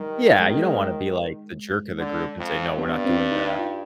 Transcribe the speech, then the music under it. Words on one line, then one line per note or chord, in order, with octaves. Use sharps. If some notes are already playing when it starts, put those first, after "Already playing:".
Yeah, you don't wanna be like the jerk of the group and say, "No, we're not doing that."
Already playing: D#3 G3
G#3
B3
G#3
D3
F2
G2 B3
C4
D#4
F4